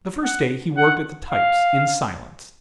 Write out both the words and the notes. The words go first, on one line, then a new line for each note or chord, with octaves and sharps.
The first day he worked at the types in silence.
F#5
F#5
F5